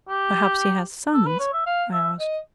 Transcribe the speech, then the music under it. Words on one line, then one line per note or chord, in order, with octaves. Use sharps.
'Perhaps he has sons?' I asked.
G4
A4
B4
C#5
E5
F5
E5
D#5